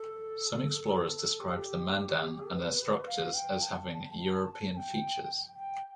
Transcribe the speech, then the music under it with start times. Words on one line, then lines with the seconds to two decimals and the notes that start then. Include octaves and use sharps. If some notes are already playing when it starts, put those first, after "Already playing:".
Some explorers described the Mandan and their structures as having "European" features.
Already playing: A4
0.84 A4
1.40 G4
2.50 B4
3.06 F5
3.34 G5
3.62 A5
4.73 A5
4.77 G5
5.56 G5